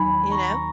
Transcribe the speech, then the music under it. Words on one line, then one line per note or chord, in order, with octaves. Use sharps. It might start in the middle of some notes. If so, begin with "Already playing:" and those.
you know.
Already playing: D#2 D#3 F#3 G#5 B5
A#5 C#6